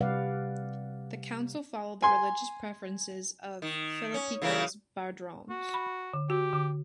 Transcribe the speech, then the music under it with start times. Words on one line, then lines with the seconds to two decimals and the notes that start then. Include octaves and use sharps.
The Council followed the religious preferences of Philippikos Bardanes.
0.01 C3 G3 B4 D5 F5 F#5
2.02 G#5 C6
3.62 D#3
4.14 C#4
4.42 C#3 E3 A#3
5.50 F#4
5.74 B5
6.13 D3
6.30 F#4 G4
6.53 D3